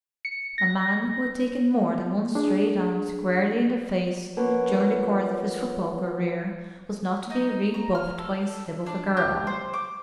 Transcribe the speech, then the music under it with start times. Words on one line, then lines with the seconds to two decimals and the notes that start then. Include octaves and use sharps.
A man who had taken more than one straight arm squarely in the face during the course of his football career was not to be rebuffed by a slip of a girl.
0.25 C#7
0.58 A#6
2.35 D4 G#4
4.37 F3 A#3 B3 C#4
7.30 D#4
7.74 A#5
7.95 F6
8.18 A4
8.86 D4
9.17 G4
9.47 C5
9.74 D6